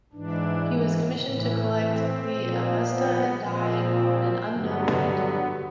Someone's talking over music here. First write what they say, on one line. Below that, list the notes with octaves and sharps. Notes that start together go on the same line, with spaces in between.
He was commissioned to collect the Avesta and died on an unknown date.
G#2 E3 D4
A2 E3
C4
A#2 F3
B3
A#2 F3 C4
G2 D3 F#3 B3